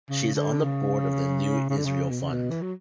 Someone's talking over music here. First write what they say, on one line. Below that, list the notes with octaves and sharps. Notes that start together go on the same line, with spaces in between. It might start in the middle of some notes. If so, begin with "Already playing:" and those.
She is on the board of the New Israel Fund.
C#3
D3
C#3
C#3
D3
C#3
B2
C#3
B2
E3
F#3